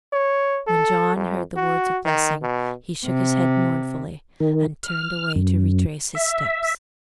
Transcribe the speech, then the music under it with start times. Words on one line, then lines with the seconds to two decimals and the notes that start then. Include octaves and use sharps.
When John heard the words of blessing, he shook his head mournfully, and turned away to retrace his steps.
0.13 C#5
0.67 A4
1.16 F2
1.56 F#4
2.05 D#3
2.42 B2
3.06 C3
4.40 D#3
4.83 F6
5.36 F#2
6.15 E5